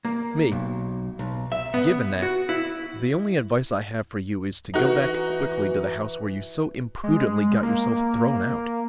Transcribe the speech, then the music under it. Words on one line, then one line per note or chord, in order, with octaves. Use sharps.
ME: Given that, the only advice I have for you is to go back quickly to the house where you so imprudently got yourself thrown out.
A#3
B1
B1
E5
B3
F#4
E4
E3 D#4 F#4
G#3
A#3